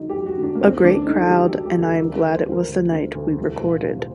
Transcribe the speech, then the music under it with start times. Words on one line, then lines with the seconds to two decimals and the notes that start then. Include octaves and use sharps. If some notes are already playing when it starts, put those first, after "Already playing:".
A great crowd and I am glad it was the night we recorded.
Already playing: F#2 D3 D#4 F#4
0.09 G4
0.15 F#2
0.26 F#4
0.38 D3
0.43 D4
0.55 A#3
0.61 D2 C4
0.84 D2 D4
1.07 D3 D#4
1.22 A4
1.30 D2 G4
1.48 F#4
1.54 D3
1.65 G4
1.77 D2
1.82 A4
2.00 D2 A#4
2.16 A#4
2.23 D2
2.35 C5
2.45 D2
2.52 A#4
2.69 D2
2.91 D3
3.15 D2
3.38 C2
3.61 A#2
3.84 C2
3.99 C5